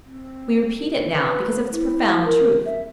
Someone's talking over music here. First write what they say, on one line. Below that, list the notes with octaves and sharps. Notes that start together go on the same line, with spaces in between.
We repeat it now because of its profound truth.
C4
B4
E4
A#4
E5